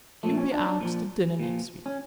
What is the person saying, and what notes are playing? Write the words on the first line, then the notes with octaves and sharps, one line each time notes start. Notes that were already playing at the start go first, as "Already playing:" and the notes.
You'll be asked to dinner next week.
A#2 F3 A3
C#4
D4
D4
A#2 F3
A#2 F3
C#4